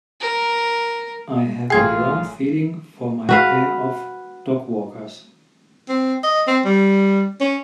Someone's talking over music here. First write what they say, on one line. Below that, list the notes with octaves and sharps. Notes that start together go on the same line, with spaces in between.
I have a warm feeling for my pair of dogwalkers.
A#4
A1 F4 G#4 G5 G#6
F#4 B4 F5
C4
D#5
C4
G3
C#4